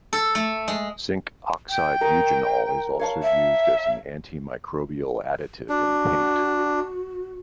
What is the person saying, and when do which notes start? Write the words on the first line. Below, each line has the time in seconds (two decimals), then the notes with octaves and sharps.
Zinc oxide eugenol is also used as an antimicrobial additive in paint.
0.13 A4
0.35 A3
0.68 G#3
1.69 G5
2.01 A#4
2.99 C#5 F5 A5
3.23 E5
5.69 D4 F#4